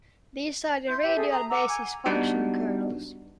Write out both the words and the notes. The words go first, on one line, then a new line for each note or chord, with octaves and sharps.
These are the radial basis function kernels.
E4 C6 G6
G4 E5
G#4 A4
A#5 D#6
F#5 A#5 D6 E6
F#5 G#5
G3 B3 D4 D#4 F#4